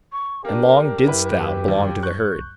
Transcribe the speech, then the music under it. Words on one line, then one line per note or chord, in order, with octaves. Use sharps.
And long didst thou belong to the herd.
C#6
A#3 D4 G4 A#4
F#2 E4 B4
D#2
C#6 F#6 G6